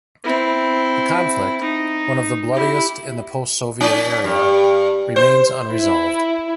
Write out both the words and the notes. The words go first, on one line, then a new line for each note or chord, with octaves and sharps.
The conflict, one of the bloodiest in the post-Soviet area, remains unresolved.
C4 E4
D#4
E4 G4
C#4
G2
C5
E4